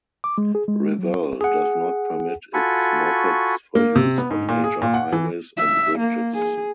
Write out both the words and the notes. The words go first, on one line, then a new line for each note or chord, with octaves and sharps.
Revel does not permit its mopeds for use on major highways and bridges.
D6
G#3
G#4
G#3
F#3
G#4 F#5
F4 F#4 A4 G#5 B5 C#6
A#3
C3
B3
G#2
A#2
G#4
A#2
F#5
E3
E5
A#3
G#4